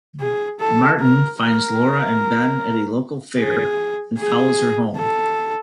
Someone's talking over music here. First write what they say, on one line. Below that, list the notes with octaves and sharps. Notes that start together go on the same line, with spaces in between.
Martin finds Laura and Ben at a local fair, then follows her home.
G#4
A4
A#4
A#4
G#4
G#4
A4